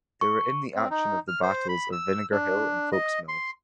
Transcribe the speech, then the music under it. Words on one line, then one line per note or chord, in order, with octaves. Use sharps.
They were in the action of the battles of Vinegar Hill and Foulksmills.
C#6
C4
D#4
F6
C5
B5
E6
D4
D#5
C6